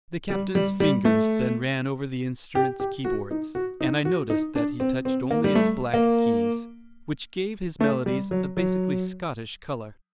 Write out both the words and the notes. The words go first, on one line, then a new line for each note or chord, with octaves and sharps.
The captain's fingers then ran over the instrument's keyboard, and I noticed that he touched only its black keys, which gave his melodies a basically Scottish color.
G3
G3
G3
A3
G4
G4
F#4
D#4
F#4
D#4
F#4
D#4
D4
C4
C4
A#3
G3
A3
A#3
A3
G3
F#3
F#3